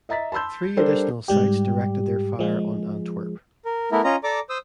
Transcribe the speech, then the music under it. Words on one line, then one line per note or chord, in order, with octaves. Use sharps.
Three additional sites directed their fire on Antwerp.
D#5 E5 A#5 A6 B6
A5 B5 C6 E6 G6
G3 D4 A4 A#4 C5 D5
G#2 G3 G4
F3 G#3
A#4
A3 B3 E4 A#4
C#4 F4 D#5 A#5
A4 D5 A#5 D6
C5 D#6 E6